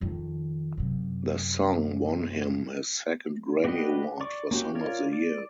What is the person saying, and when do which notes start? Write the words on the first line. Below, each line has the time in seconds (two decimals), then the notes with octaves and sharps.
The song won him his second Grammy Award for Song of the Year.
0.01 F2 D#3
0.77 F#2 C3
3.64 D4 F#4 G4 B4 D#5
4.21 D5 C#6 D6
4.51 A#3 C#4 F#4 G4
4.75 F4 A#4 C#5 D5
5.13 D5